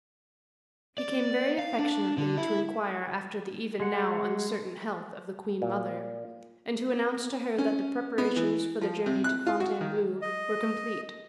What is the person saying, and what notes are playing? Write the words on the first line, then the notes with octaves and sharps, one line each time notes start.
He came very affectionately to inquire after the even now uncertain health of the queen-mother, and to announce to her that the preparations for the journey to Fontainebleau were complete.
D5
F5
D4
D3
E4
G#3 F#5
A#2
C#4
B3
E3
F3
C3
F#6
F4
F#4
D#3
D#5